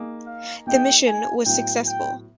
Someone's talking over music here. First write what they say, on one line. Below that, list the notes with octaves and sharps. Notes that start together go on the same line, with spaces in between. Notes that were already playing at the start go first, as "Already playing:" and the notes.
The mission was successful.
Already playing: A#3 D#4 G#4
F5
A#3 D#4 G#4 G5
G#5
A2 F#3 B3 G5
G5